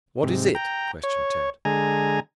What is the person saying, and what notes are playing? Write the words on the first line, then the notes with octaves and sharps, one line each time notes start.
"What is it?" questioned Tad.
G#2 C3
G5 A#5
C#5
D3 G#3 G#5 A#5